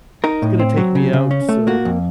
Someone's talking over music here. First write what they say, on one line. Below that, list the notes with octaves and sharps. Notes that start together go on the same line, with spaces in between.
it's gonna take me out so
D#4 A#4
A2
C4
F#3
C#3
C#3
C#4
A3
A#3 F#4
F2